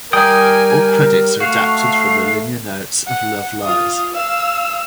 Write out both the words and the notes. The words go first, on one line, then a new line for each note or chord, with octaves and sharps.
All credits are adapted from the liner notes of "Love Lies".
G3 A#4 G5 G#5 D#6
A3 F#4 F5
F#5
F4 D#6
F5 E6